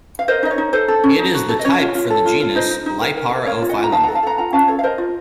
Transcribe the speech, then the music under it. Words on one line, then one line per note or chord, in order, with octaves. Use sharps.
It is the type for the genus "Liparophyllum".
F5
A#4 C5 D#5
D#4 D#5
C#5
D#4
A4 C5
A4
C#4
D#4
F#4
A4
D#5
C#4 C#5
F4
F4
A4
F4
F4
D#4 C5 D#5
D#4
D#4
A#4
A#4
A#4
A#4 C#5 F5
F4
D#5 F#5
F4
A#5
D#4 F5 A5
A4 F#5 A#5
F5 A5
A4 F#5 A#5
F4 F#5 A#5
C#4 F5 A5
A4 C#5
F5
A#4 C5 D#5
F4